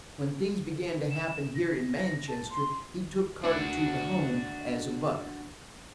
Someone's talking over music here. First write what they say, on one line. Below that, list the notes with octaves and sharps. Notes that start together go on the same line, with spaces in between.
When things began to happen here in Manchester, he took Carter to the home as a butler.
E7
A#6
A5
C6
D4 F#4